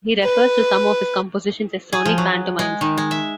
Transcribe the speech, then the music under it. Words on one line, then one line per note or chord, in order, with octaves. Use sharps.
He refers to some of his compositions as "sonic pantomimes".
B4
G#4
F3
F#3
G#3
D#3
G#3
E5